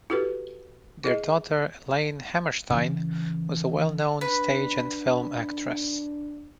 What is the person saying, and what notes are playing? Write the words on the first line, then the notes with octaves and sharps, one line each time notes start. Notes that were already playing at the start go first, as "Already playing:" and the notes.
Their daughter Elaine Hammerstein was a well-known stage and film actress.
E4 F#4 G4 A4 B4
E4 G#4 D#5
C#3 E3
D4 B4